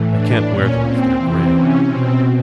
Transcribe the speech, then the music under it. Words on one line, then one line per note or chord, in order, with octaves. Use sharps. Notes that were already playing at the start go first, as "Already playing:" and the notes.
I can't wear them if they are grey.
Already playing: A2 E3
D4
A#2 C#4
C4
C3 E3 C4
C#4
B2 C4